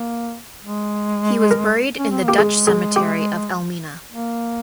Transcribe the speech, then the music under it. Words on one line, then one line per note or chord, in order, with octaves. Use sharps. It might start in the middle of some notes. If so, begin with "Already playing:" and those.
He was buried in the Dutch Cemetery of Elmina.
Already playing: A#3
G#3
A#4
C#4
C4
A#3 G4
G#3 G#4
G#4
G4
A#3